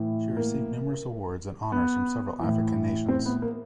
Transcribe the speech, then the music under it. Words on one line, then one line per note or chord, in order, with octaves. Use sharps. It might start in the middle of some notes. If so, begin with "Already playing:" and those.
She received numerous awards and honours from several African nations.
Already playing: A2 E3
A#3
B3
A2 E3
C4
B3
A#3